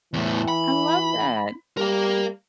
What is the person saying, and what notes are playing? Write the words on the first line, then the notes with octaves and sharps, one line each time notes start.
I love that.
E2 A2 E3
B5
G3 A#4 F5